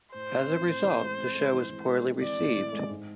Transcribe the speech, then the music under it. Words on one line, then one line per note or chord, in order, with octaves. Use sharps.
As a result, the show was poorly received.
A2 C5
C4
C4
A2
E3
G#3
C4
G#3
E3
E3
G#3
C4
E3 D5
A2
E3
G#3
G#2